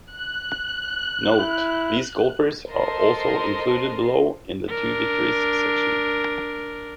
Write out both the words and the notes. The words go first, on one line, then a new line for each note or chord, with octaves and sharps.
Note: These golfers are also included below in the "Two victories" section.
F#6
E4
A4 A#4 C5 D#5 A5 C6
D4 A#4